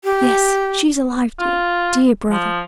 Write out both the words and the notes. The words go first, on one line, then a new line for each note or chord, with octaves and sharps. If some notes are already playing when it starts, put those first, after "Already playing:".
'Yes, she is alive, dear, dear brother!
G4
F4
F3